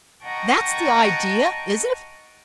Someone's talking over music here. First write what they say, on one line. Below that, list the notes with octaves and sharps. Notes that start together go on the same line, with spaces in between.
That's the idea, is it?
D#5 F#5 G5 A5 A#5 C#6